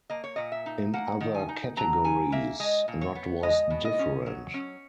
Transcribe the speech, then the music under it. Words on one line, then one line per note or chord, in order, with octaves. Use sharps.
In other categories not was different.
A#3 D#5
C#5
A#2 D#5
E5
D#4
A#3 F#5
D#3
G#5
D#4
F#3 A#5
C#3 G#5
A#3 E5
G#3 D#5
A#2
C#5
B3
G#3 D#5
B2
D#5
C#4
F#3
C#4